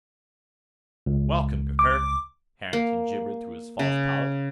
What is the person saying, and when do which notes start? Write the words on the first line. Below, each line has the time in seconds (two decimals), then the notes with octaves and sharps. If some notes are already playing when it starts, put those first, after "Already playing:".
"Welcome, Gurgurk," Harrington gibbered through his false palate.
1.06 C#2
1.79 D6
2.73 A#3
3.79 C#3